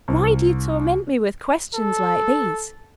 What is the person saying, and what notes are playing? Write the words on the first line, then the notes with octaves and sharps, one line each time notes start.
Why do you torment me with questions like these?
C2
A4